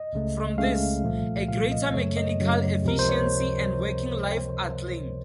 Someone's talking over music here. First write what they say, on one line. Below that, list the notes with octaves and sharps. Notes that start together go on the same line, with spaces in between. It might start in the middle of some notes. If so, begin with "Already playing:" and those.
From this, a greater mechanical efficiency and working life are claimed.
Already playing: D#5
C#2 C#3 A3
C#2 C#3 A3 F5
C2 A#2 F3 A3
C2 A#2 F3 A3 F5
D#5
F#2 C#3 F#3 A3 C#5
D#5
F#2 C#3 F#3 A3
C#2 C3 F3 A#4
C5
C#5